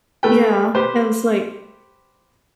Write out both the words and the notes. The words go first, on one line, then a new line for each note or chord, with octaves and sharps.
Yeah, and it's, like
A3 B4 G5
G4 B4 C5